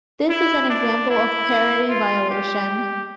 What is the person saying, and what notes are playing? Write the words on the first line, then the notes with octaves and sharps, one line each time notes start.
This is an example of parity violation.
E4
D4
E4
F4
G4